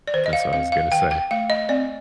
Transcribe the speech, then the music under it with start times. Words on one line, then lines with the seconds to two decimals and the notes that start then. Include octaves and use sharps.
That's what I was gonna say.
0.07 D5
0.14 D#3 C5
0.26 D#5
0.33 F5
0.53 C4 F5
0.72 F5
0.92 D#3 G5
1.11 G5
1.31 A3 F5
1.50 D#5
1.69 C4 D5